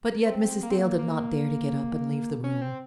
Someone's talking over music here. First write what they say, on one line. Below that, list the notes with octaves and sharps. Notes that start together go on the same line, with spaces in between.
But yet Mrs. Dale did not dare to get up and leave the room.
C4
A#3
C4
A#3
A#3
C#4
C4